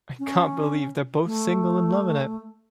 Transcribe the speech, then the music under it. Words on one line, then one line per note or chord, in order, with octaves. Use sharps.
I can't believe they're both single and loving it.
C#4
A3